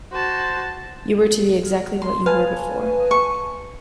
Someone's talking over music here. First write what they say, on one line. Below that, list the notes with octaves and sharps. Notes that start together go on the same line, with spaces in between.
You were to be exactly what you were before.
F#4 C5 A5
C6
B4 F5 G#5 A5
C#6